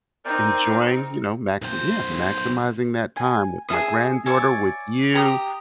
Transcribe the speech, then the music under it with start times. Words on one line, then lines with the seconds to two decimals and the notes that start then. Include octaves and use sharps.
Enjoying, you know, max yeah maximizing that time with my granddaughter, with you,
0.25 C4 D#4 A#4 C5 D5
1.62 B1 C5
3.17 G#5
3.69 G#4 A4 E5 D#6
4.26 C#5 D5 E5 G#5
5.14 G4 A#5 D#6